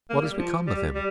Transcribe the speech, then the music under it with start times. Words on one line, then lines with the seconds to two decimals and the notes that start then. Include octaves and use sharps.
What has become of him?
0.10 A#3
0.25 G3
0.39 F3
0.67 G3
0.95 G3